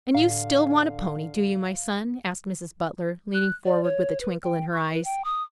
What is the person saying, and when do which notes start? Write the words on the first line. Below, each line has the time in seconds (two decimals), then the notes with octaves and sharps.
"And you still want a pony, do you, my son?" asked Mrs. Butler, leaning forward with a twinkle in her eyes.
0.15 A2 D3 F5
3.34 F#6
3.65 D5
3.84 C#5
4.21 B4
4.43 G5
4.72 C#6
4.92 B4
5.05 G5
5.25 D#6